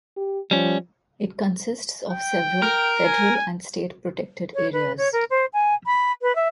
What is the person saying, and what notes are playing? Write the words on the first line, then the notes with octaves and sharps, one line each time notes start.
It consists of several federal and state protected areas.
G4
F3 G3 C#4
G5
A#4
G#5
C#5
B4
C#5
A#4
C5
G#5
B5
B4
E5